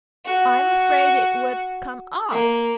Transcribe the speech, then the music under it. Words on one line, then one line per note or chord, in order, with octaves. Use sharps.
I'm afraid it would come off!'
F#4
A#3